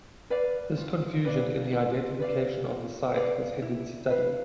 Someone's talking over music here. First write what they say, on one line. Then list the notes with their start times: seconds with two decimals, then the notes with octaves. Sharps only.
This confusion in the identification of the site has hindered study.
0.30 B4 D5 F5
0.78 F4
1.25 B4 D5 F5
1.73 F4
2.19 B4 D5 F5
2.68 F4
3.15 B4 D5 F5
3.62 E4
4.10 B4 F5